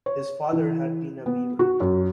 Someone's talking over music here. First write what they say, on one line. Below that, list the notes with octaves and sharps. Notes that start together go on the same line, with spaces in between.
His father had been a weaver.
C#5
E3
B3
F#4
F#2